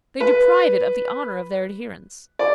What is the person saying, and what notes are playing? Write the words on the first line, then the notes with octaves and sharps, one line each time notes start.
They deprive it of the honour of their adherence.
B4
D5